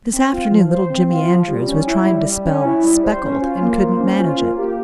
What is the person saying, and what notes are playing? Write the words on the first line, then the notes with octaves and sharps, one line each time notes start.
This afternoon little Jimmy Andrews was trying to spell 'speckled' and couldn't manage it.
C4
F4
F3
C5
C4
F4
F3
G3
C#4
E4
G3
G3
C#4
E4
G3
C5
C#4
F4
A#3
C5
C#4
F4
A#3
G4